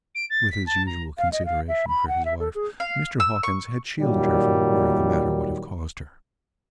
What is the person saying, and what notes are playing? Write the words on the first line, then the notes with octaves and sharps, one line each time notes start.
With his usual consideration for his wife, Mr. Hawkins had shielded her from the worry the matter would have caused her.
D7
A6
B6
A5
A#5
F5
D#5
F5
E5
B5
F#5
E5
A4
G#4
F5
E6
C#6
A#2 D#3 F#3 G3